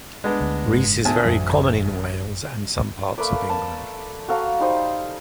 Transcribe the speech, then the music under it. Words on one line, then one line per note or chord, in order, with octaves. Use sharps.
Rhys is very common in Wales, and some parts of England.
G#3 B3 D4
D2
F#1 G#2
D2 B3 G#5 A5
A1 F#2 F#3
A3 A#3 B4 D5
A5
F#4 A4 F5 A#5
G3 D#4 C5 D#6